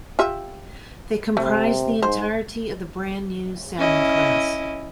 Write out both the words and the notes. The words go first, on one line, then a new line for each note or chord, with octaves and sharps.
They comprised the entirety of the brand-new "Salmon" class.
F4 G4 E5
C3 A3
G#2 C5
C#4 E4 D#5